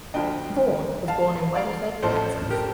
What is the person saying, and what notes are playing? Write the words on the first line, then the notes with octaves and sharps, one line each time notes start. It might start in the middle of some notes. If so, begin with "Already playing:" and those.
Vaughn was born in Weatherford, Texas.
D2 D3 F3 D#5 G5
F5 A5
D5 F5
A1 A2 F3 A4 C5
G4 A#4